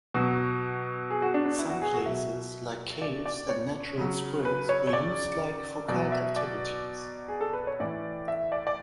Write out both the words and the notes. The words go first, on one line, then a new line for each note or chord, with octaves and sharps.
Some places like caves and natural springs were used like for cult activities.
B2 F#3 F#4
G#4
F#4
D4
D4
E4
F#4
G#4
F#4
B2 F#3 E5
D5
D5
C#5
C#3 F#3
B4
C#5
C#5
D5
B2 F#3 D5
E5
D5
G#4
A4
B4
C#5
A2 E3 D5
E5
D5
D5